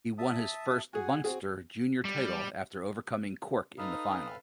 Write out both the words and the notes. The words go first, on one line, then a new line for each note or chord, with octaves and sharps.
He won his first Munster Junior title after overcoming Cork in the final.
E5 A5 D#6
F#4 G#4 F#5 G#5
C4 F#4 G#4
G3
D#4 A4 B4 F5 D#6